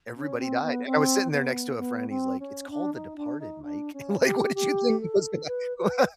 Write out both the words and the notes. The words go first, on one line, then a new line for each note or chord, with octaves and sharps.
Everybody died." And I was sitting there next to a friend, he's like, "It's called The Departed, Mike. Like, what did you think was gonna wha
C#4
C4
B3
C4
B3
B3
C4
C#4
D4
D#4
D4
D#4
D4
C#4
G4
G4
A4
B4
B4